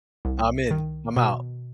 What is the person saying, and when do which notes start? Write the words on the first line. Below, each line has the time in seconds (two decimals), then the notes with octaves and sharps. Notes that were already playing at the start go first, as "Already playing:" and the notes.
"I'm in. I'm out."
0.25 C2
0.71 D#3
1.17 B2